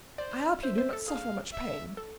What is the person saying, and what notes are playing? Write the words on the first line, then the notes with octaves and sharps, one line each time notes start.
"I hope you do not suffer much pain!"
C5 D5
C5 E5
C5
A4
G#4 F5
E5
A4